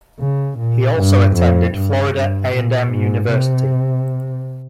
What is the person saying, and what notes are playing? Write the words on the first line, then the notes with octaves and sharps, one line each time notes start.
He also attended Florida A and M University.
C#3
A#2
G2
F2
G2
G2
A#2
G#2
C3